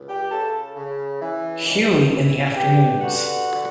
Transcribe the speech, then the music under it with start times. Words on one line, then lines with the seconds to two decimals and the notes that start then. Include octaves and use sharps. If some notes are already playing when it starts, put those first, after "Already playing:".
Hughley in the Afternoons.
Already playing: C#2
0.08 G4 G5
0.31 C#3 A4 A5
0.76 C#3
1.21 E3
1.67 C#2
2.11 E3
2.56 G2 G4 G5
3.01 D3 F#4 F#5
3.47 D3